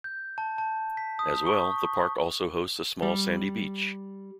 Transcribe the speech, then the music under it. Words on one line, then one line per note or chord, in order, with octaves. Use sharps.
As well, the park also hosts a small sandy beach.
G6
A5
A5
B6
D#6
C#6
G3